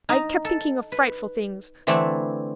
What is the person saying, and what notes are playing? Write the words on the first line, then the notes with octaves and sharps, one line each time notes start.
I kept thinking of frightful things.
D#4 A#5
A4
B4
D3 E3 A3 C4 D4 E4